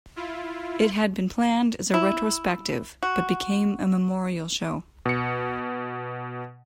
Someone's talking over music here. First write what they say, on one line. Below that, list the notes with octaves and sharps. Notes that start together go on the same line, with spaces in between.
It had been planned as a retrospective but became a memorial show.
E4 F4
E4
F#4
B2 C#7